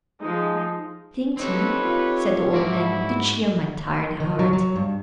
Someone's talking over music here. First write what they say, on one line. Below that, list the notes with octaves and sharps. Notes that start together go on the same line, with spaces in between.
"Sing to me," said the old man, "to cheer my tired heart."
F3 G#3 D#4
E3 C4 D#4 G4 A4 B4 C#5
F4
G#2 E4 F#4 D5
D#3
F#3
F#3
G2